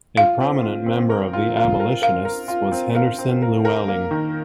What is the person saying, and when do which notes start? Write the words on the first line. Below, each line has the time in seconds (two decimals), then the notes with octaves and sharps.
A prominent member of the abolitionists was Henderson Lewelling.
0.17 F4 F5
0.40 C4
0.63 F4
0.86 C4
1.10 A#4
1.33 F4
1.57 F4
1.80 A#4
2.02 A#4 F5
2.25 A#4
2.48 F4
2.72 C4
2.95 A#4 F5
3.19 C4
3.42 A#4
3.65 A#4
3.88 A#3
4.11 D#3